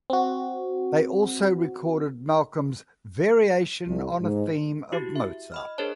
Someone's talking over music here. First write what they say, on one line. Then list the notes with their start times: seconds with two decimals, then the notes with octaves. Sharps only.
They also recorded Malcolm's "Variations on a Theme of Mozart".
0.10 C4 F#4
3.87 C2
4.21 G#2
4.92 E4 F#4 G4
5.16 E5
5.52 D#5 B5 F6
5.78 D4 G#4 A#4 C5 C#5 A5